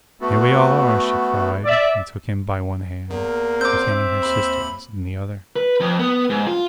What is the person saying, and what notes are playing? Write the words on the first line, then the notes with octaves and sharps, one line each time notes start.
"Here we all are!" she cried, and took him by one hand, retaining her sister's in the other.
A3 B3 F#4
D5 E5
E2 A#3
C4 D6 G6
E5
D#2 B5
B4
F2
B3
G#2
F4